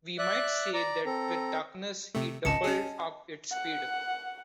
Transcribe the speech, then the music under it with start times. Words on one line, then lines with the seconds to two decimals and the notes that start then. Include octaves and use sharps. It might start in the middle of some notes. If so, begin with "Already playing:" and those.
We might say that with darkness, he doubled up its speed.
0.19 D5 E5 F#6
0.74 D5 A#5
1.06 C4 A4 A#5
2.15 C3 A3
2.45 G#1 C#2 C#3 D#5 A5 C#7
2.64 C#4 G#4
3.52 F#5